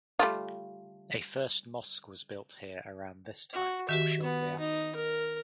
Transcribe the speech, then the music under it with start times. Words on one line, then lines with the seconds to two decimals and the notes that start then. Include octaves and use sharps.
A first mosque was built here around this time or shortly after.
0.19 G3 A3 F4
3.53 F#4
3.89 D#3 F#4 G4 E5
4.22 B3
4.59 D#4
4.95 A#4